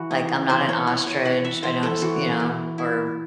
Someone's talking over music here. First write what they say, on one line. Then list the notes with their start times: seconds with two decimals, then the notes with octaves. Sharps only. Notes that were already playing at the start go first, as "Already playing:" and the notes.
like, I'm not an ostrich, I don't s you know, or
Already playing: E3 F#4
0.11 D#4
0.49 E3 C5
0.69 C#5
0.87 E3 C#5
1.06 C#5
1.25 E3 F#5
1.45 E5
1.63 E3 C5
1.83 A4
2.02 E3 F#4
2.40 E3
2.78 E4